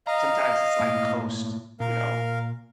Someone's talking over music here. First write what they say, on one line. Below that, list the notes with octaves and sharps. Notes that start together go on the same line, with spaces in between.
Sometimes it's like coast, you know,
D#5 F5 A#5
A2 A#3
A#2 A#4 F5